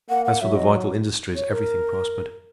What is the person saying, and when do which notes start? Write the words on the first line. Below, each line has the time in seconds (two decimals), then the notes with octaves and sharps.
As for the vital industries, everything prospered.
0.09 A#3 F#5
0.25 F#5
0.41 F#3 E5
0.56 D#5
1.35 C#5
1.52 A#4